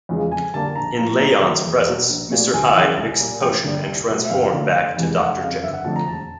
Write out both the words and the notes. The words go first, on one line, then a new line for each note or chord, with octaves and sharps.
In Lanyon's presence, Mr. Hyde mixed the potion and transformed back to Doctor Jekyll.
E2 C#3 F3 G#3
F2 G#5
D3 G3 A#3 A5
A#1 A#5
A2 F3 A#3 A#5
F#2 A#5
D#3 F#3 A#3
E2
B2 G3 A#3
A#1
A#2 F#3 A3
D2 G#5
C#3 E3
C2
A#2 G3 A#3
A1 G5
G2 D3 G3 A#3
C2
B2 F#3 A3
E5
G1 F5
F#2 D3 F#3 A3
F1
E2 C3 E3 G#3
F1 F#5
F#5
F2 C#3 F5
G1 E5
F#5
F2 D3 F3 A3 A5
A#5
E1 A5